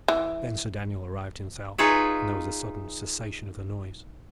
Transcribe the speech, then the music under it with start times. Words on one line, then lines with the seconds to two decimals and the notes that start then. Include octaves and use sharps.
Then Sir Daniel arrived himself, and there was a sudden cessation of the noise.
0.08 E3
1.78 D#4 F4 G#4 B4 C#5 E5